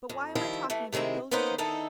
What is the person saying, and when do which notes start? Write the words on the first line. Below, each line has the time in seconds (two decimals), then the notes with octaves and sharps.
But why am I talking about those two?
0.09 F2
0.35 D#3 F3 G3 E4 G5
0.70 E3 A3
0.93 C3 D#3 G#3 C4 E4
1.31 A#3 B3 C#4 D#4 B4 C5
1.58 D3 D#3 D#4 E4 A4